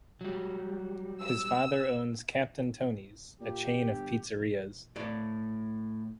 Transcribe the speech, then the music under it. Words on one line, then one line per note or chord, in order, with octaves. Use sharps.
His father owns Captain Tony's, a chain of pizzerias.
F#3 G3
E6
A#2 G4
G1
A2 D5